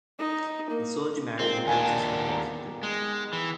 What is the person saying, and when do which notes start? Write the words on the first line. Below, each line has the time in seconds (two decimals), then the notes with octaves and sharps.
The soldier marries the princess and takes the throne.
0.19 D#4
0.70 A#3
1.39 A#2 D#3 G#3 C4
1.67 D#2 A#3 D4 G#5
2.27 B3 G4 A#5
2.83 G#3
3.33 E3